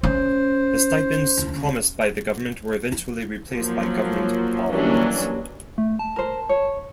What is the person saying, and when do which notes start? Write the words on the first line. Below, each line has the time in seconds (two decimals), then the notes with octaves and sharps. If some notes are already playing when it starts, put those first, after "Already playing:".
The stipends promised by the government were eventually replaced by government bonds.
0.03 C#4 C5
3.53 F3 F#3 A#3
4.70 E3 F#3 G3 A#3 C#4 D4
5.78 A3
5.99 A5
6.16 A#4 C5
6.49 C#5